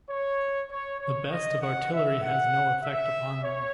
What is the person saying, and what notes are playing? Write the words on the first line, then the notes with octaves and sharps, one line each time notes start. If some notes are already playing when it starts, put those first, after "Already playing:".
The best of artillery has no effect upon them.
C#5
C#5
C#5
D#5
F#5
E5
F#5
E5
C#5